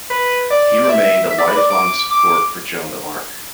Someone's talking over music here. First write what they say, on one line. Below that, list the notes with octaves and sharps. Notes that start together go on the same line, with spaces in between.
He remained a lifelong support for Joan of Arc.
B4
D5
D5
E5
E5
D5
B4
D5
D6
D6